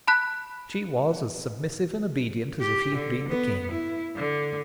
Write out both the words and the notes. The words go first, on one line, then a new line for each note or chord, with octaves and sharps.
She was as submissive and obedient as if he had been the king.
A5 B5 F#6 B6
G4
D3
B3
E4
D3